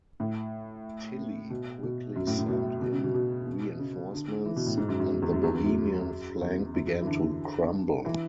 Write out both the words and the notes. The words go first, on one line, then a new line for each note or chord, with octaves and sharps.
Tilly quickly sent in reinforcements, and the Bohemian flank began to crumble.
A2
B2
B2
F#2
A2
A2
B2
B2
C#3
B2
B2
C#3
D3
E3
B2
A2
G#2
F#2
F#2
F#2
E2
F#2
E2
E2
F#2
E2
F#2
E3
D3
E3